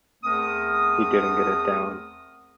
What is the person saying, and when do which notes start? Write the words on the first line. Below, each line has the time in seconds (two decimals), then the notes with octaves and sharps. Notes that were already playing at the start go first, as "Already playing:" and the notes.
He didn't get a "down".
0.24 E2 A3 C4 A#4 D#6